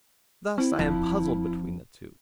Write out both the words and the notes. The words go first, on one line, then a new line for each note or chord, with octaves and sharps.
Thus I am puzzled between the two.
C4 E4
D#1 F2